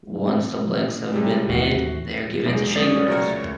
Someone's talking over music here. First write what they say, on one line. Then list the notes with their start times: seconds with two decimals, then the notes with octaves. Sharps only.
Once the blanks have been made they are given to shapers.
1.12 C3 G3 G#3
1.49 D#2 A2 E3 F#4 C7
2.46 E2 G#3 D7
2.76 F#3 C#4 D5 D#6
3.08 C#2 F#3 A3 A#3 A#4 C#5